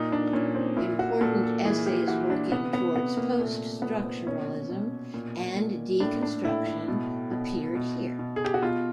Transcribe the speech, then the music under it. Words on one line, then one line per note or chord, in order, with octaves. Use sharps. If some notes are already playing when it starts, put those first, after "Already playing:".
Important essays working towards post-structuralism and deconstruction appeared here.
Already playing: A#2 D#4
D4
A#2 C#4
C4
A#2 E4
F#4
A#2 A4
A4
E3 G#4
G4
E3 F#4
D4
C3 B3
B3
C3 B3
A#3
A#2 A3
A#2 B3
C4
B2 C#4
B2
A#2
A#2
A2 D4
D4
A2 E4
E4
B2
B2
B2
B2
G#4
G4
F#4
B2 F4